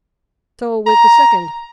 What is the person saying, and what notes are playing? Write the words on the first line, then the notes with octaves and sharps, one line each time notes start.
So with the second.
A#5